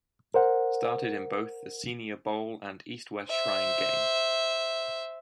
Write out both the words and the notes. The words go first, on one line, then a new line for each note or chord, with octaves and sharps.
Started in both the Senior Bowl and East-West Shrine Game.
A#4 C5 F#5
C5 E5